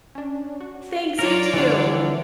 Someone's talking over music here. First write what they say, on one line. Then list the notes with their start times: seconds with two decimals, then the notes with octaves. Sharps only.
Thanks. You, too.
0.15 C#4 D4
0.60 F#4
1.19 F#3 F4 A#4 C#5 D5 F6 A#6
1.54 D3 E3 F3 G3 C4